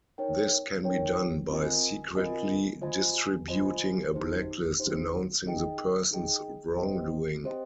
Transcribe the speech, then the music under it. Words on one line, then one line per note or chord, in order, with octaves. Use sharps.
This can be done by secretly distributing a blacklist announcing the person's wrongdoing.
D#4 A#4 C#5 G5
D#4 A#4 C#5 G5
C4 F4 A#4 D#5 G#5
C4 F4 A#4 D#5 G#5
F4 C5 D#5 G#5
F4 C5 D#5 G#5
D#4 G4 C5
D#4 G4 C5
D#4 G#4 D#5 G5
D#4 G#4 D#5 G5
C4 G4 C5 D#5 G5
C4 G4 C5 D#5 G5